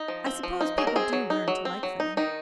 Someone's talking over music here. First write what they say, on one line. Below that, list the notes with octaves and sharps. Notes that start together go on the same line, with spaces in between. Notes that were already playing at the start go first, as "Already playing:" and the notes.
I suppose people do learn to like them.
Already playing: D#4
F3
C4
F3
D#4
F#3 G#4
A#4
C4 G#4
F#3
D#4
F#3
C4
F#3
D#4
D#3 D#4